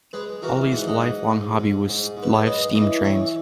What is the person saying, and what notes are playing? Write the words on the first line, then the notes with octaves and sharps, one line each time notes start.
Ollie's lifelong hobby was live steam trains.
G#3 G#4 B4
E3 F#4 A#4
G#2 F#5
D#5 F#5
G#2
G#2
G#2
G#2
G#2
B4
C#5
G#3 B4 D#5
E3 B4 D#5
E3 C#5 E5